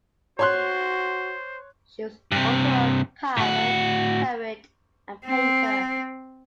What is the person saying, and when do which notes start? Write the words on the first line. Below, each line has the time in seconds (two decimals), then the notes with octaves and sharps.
She was also a pilot, poet, and painter.
0.39 F#4 C5 C#5 C6 F#6
2.32 G2 C3
3.37 A2 F#4
5.25 C4